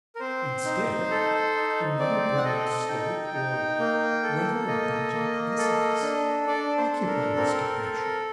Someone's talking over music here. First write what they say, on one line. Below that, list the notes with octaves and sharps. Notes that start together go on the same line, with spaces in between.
Instead, another brown slope, or rather a bulging precipice, occupied this depression.
A#4
C4 C5
D#4
A4
D#4
C4 D5
F#5
A4 D#5
D#4 G5
D#4
A#3
A4
A#3 D#5
A#3
A4
D4
D4 D5
C5
A4
A#4
C4 A#4
A4